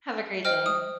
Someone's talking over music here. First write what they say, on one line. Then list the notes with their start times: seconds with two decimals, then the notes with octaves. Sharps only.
Have a great day.
0.45 C5 D#5 G5 F6
0.66 D#6